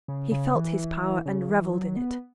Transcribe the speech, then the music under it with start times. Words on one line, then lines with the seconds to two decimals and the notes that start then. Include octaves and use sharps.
He felt his power and revelled in it.
0.08 C#3
0.32 C#3
0.55 E3
1.26 C#3
1.50 E3
1.73 F#3
1.96 B3